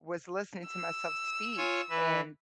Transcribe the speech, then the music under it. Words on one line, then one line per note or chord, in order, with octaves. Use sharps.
was listening to myself speak and
E6
F4 C#5 G#5
E3 B4